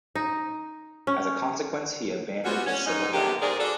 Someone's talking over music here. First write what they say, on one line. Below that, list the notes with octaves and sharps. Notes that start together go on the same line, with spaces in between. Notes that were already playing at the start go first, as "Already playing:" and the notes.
As a consequence, he abandoned his civil job.
D#4
C#4
G3 B3 C#4 F4 F#4
C#4
G#2 D#4
D3 F#3 A#3 B3 G4
G#2 G#3 C4 G#4 A#4 D5
D4 F#4 A4